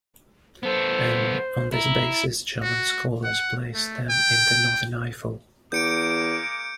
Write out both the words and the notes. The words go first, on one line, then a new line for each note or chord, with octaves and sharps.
And "on this basis German scholars place them in the northern Eifel".
B3 A4 C5
E4 A#5
F#4
F#5
A3
G5
E2 G#3 A#3 D6 G6 C#7 D7